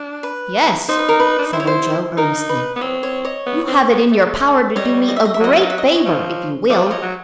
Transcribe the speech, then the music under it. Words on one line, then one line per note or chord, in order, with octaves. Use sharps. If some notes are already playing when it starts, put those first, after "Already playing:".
"Yes," said Ojo earnestly, "you have it in your power to do me a great favor, if you will."
Already playing: D4
B4
D#4 C5
B4
A#4
B4
D4
D#4
E4 C5
C#5
C5
D#4 A#4
B4
B3
C4 C#5
C#5
C#5 D#5
B3
C4
B3
A3
G3 C#5 D#5
D#5
E5
D#5
E5
F#3 D#5
E5
D#5
E5
D#5
E5
C#5 D#5
F3
F3 D5 E5
F3
C#5 D#5
F#3